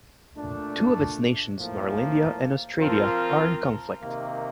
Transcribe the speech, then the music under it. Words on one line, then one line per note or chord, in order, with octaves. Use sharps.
Two of its nations, Norlandia and Austradia, are in conflict.
A#2 A3 D4
A2 F3 A#3
F3 C4 F4 A#4
C3 D#3 A#3